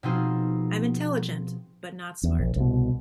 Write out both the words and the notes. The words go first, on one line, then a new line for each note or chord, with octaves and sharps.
I'm intelligent, but not smart.
B2 F3 C4 D#4 F4 G#4
E2
A#1
C2 B2